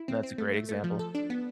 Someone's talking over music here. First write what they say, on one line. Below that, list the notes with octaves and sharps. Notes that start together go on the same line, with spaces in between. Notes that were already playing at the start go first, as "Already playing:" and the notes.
That's a great example.
Already playing: E4
C4
C4
A3
A3
A3
F3
A4
D4
B3